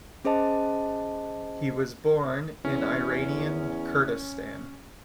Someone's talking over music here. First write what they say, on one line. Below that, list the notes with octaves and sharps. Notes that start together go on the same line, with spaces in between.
He was born in Iranian Kurdistan.
C#4 G#4 C5 D#5 A5
E2 C#4